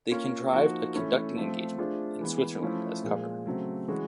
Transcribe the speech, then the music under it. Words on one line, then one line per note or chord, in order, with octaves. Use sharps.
They contrived a conducting engagement in Switzerland as cover.
A#3 C#4 F4
F3 A#3 D#4 F#4
E3 A3 C#4 E4 A4
F3 A3 C4
A3 D4 F4 G#4 C5
E3 G#3 B3
F3 A3 C#4 E4
A#2 F3 G#3
C#3 F#3 A3 C4
E3 G#3 C#4 F#4